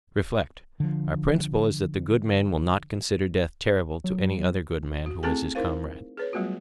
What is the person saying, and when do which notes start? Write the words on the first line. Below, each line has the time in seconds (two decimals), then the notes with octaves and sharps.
Reflect: our principle is that the good man will not consider death terrible to any other good man who is his comrade.
0.80 D3 F3
4.04 F#3
5.06 F#4
5.23 A3 C4 E4 G#4 A4 G#5
5.55 D#4 E4 A#4 C5 F5
6.17 G#4 B4 C#5
6.33 F#3 G3 A3 B3 F4 F#4